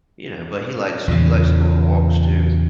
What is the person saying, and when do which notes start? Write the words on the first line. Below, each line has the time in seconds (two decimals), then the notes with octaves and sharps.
you know, but he likes he likes to go on walks too.
1.08 E2 A#2 C#3